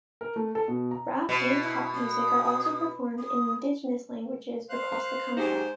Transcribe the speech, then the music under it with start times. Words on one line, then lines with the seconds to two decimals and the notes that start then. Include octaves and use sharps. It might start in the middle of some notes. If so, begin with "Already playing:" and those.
Rap and pop music are also performed in indigenous languages across the country.
0.21 A#4
0.36 A3
0.55 A4
0.68 B2
0.91 A#5
1.29 B2
1.62 E4
1.94 D#6
3.18 D#6
4.70 C5 F5 F#6
5.37 G#2 D#4 G4 G#4 C5 D6